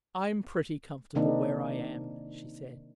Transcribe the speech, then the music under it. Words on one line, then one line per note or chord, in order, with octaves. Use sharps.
"I am pretty comfortable where I am," she said.
C3 D#3 A#3 C4 D4 D#4